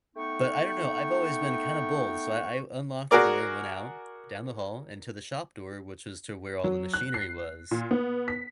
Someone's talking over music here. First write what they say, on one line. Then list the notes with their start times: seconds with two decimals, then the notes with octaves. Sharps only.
But I don't know, I've always been kinda bold, so I I unlocked the door and went out down the hall and to the shop door, which is to where all the machinery was.
0.16 A3 B3 D#4 G5 C#6
3.11 F#4 G#4 A#4 D5
6.64 F#3
6.94 F#6
7.14 C7
7.71 A#2
7.91 B3
8.28 B6